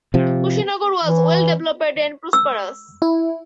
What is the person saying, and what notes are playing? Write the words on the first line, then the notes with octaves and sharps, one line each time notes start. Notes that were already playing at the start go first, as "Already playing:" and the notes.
Kushinagar was well developed and prosperous.
C3 F3
E3
E6
E4